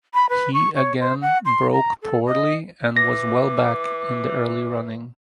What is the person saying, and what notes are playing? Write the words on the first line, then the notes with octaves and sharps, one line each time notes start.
He again broke poorly and was well back in the early running.
B5
B4
C#6
C#5
C5
F#5
C6
A#5
A4
D#5
E3 D6 A#6